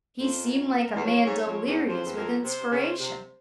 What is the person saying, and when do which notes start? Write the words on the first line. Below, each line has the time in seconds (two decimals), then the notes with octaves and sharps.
He seemed like a man delirious with inspiration.
0.20 F2 C5
0.48 A#4
0.76 A#4
0.96 E2
1.04 F2 C#5
1.26 G#2
1.46 F2
1.67 E2
1.88 F2 C5
2.06 E2
2.17 F2 A#4
2.44 C3 C5
2.72 C#3 C5
3.00 C3